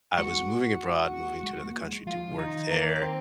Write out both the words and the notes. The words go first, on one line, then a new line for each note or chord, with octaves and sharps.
I was moving abroad, moving to another country to work there,
G#3 F#4
G#3
A#3
G#3
F3 F4
C#3
D#3 D#4
A#3
C4